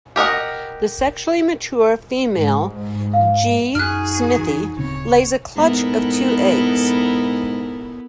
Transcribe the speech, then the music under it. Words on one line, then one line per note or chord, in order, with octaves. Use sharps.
The sexually mature female "G. smithii" lays a clutch of two eggs.
G4 A#4 D#5 F#5
G#2
F5
F#2 C#4 D#4 F#4 G#4 F6 F#6
F2 E3
D1 C#3 C4 C#5
G#2 B3 E4 A4 A#4